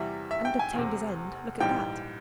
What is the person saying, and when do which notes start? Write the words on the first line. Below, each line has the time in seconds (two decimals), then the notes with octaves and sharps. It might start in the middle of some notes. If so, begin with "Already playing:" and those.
"And obtained his end; look at that."
Already playing: E2 C3 E3 G3 E5
0.31 E5
0.45 G5
0.59 G#5
0.74 F1 E2 C3
1.60 A#1 G#2 E3 G3 G5